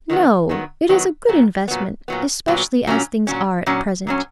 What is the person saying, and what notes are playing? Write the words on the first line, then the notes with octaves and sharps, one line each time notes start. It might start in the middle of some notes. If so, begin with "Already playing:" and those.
"No, it is a good investment; especially as things are at present."
D#3 F#3 B3
D#3 F#3 B3
D#3 F#3 B3
A#2 F#3 B3
A#2 F#3 B3
A#2 F#3 B3
A#2 F#3 B3
A#2 F#3 C#4
A#2 F#3 C#4
A#2 F#3 C#4
A#2 F#3 C#4